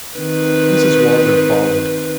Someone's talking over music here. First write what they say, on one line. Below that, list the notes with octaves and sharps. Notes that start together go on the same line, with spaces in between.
Mrs. Waldron followed.
D#3 C4 B4